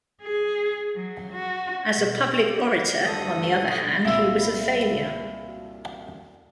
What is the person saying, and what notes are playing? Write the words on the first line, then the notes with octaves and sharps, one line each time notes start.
As a public orator, on the other hand, he was a failure.
G#4
F#3
F#4
B2
G4
D2 G2 A4 D#6
C2 A#2 E4 F4